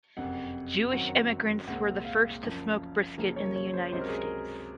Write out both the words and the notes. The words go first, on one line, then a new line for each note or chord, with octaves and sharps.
Jewish immigrants were the first to smoke brisket in the United States.
F#1 F2 C3 F#5
F#2 D#3 F#3 C4 F#5
C2 A#2 G#3 C4 F#5
F5
F#1 F#2 F3
F#1 F#2 C#3 F3 A#3
C#5
C#5
C5
C#2 C3 F#3 C5
A#4
G#4
A#4